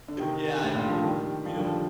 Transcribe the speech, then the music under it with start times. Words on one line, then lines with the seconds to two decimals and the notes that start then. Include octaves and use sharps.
yeah, I mean, we don't
0.08 D3
0.20 C3 D#3
0.54 D3
0.62 A2 C3
0.75 A#2 D3
0.90 D3 F3
1.03 D#3 G3
1.45 D3 F3
1.55 G3
1.59 D3 F3